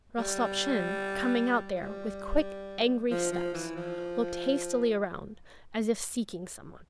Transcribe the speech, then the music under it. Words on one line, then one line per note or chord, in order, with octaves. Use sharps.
Rostopchin, coming out there with quick angry steps, looked hastily around as if seeking someone.
G3
F3
G3
F3
F3
E3
F3